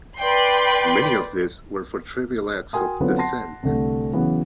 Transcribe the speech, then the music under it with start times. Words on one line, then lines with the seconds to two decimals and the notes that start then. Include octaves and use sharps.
Many of these were for trivial acts of dissent.
0.19 B4 D5 G5 C6
2.73 F#4 A#4 G5 G#5 C6 D#6
3.00 D3 F#3 B3 C4 F4 B4
3.18 F#5 A5 C6 A#6 C7
3.63 C2 D3 A3
4.13 C#3 E3 F#3 B3